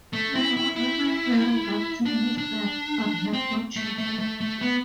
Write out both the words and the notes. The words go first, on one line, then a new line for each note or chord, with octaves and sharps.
They would remain married until his death, but had no children.
A3
E4
E4
E4
D4
D4
C4
A3
A3
A3
A3
B3